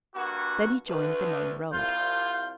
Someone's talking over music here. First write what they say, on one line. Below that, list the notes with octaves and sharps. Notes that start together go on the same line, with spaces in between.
Then he joined the main road.
G2 A#3 F#4
D2 B4
C2 F4 G6